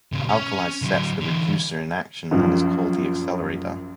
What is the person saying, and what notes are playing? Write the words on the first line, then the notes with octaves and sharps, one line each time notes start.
The alkali sets the reducer in action and is called the accelerator.
A#2 C#3
C#4
D3 F#3
D3 E3
A#1 F#2 F3